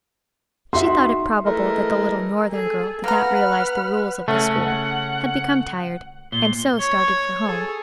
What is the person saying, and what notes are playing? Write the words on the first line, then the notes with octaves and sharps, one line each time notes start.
She thought it probable that the little northern girl did not realize the rules of the school, had become tired, and so started for home.
D#4 F#4 E5 C6
E3 G#3 A3 A#4
G#4 A4
A#3 B4 F#5 A#5 F6
C#3 A3 C#4 F#5
A#2 G7
C#5
G#4 A4